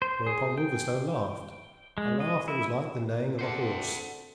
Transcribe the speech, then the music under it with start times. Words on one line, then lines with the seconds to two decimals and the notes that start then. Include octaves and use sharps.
Whereupon Wolverstone laughed, a laugh that was like the neighing of a horse.
0.02 C5
0.26 G#4
0.58 G5
1.98 G#3
2.20 D#5
2.48 E4
3.39 D2 A#2 D3 C4 A4 C5 F#5